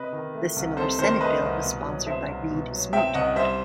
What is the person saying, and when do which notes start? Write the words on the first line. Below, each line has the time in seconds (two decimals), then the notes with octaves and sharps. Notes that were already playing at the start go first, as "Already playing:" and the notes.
The similar Senate bill was sponsored by Reed Smoot.
Already playing: C3 B4 D#5
0.13 D#3
0.34 A3
0.56 C2
0.77 C3 A4 C5
0.99 D#3 A4 C5
1.20 A3 B4 D#5
1.42 C2
1.64 B2
1.85 F#3
2.07 C4 C5 E5
2.28 C2
2.50 B2
2.71 F#3
2.93 C4 E5 G5
3.14 C2 D#5 F#5
3.36 G3 C5 E5